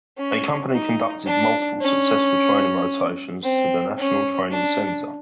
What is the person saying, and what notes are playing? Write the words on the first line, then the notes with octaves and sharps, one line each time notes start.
A Company conducted multiple successful training rotations to the National Training Center.
C#4
D#4
D4
C#4
C4
C#4
D4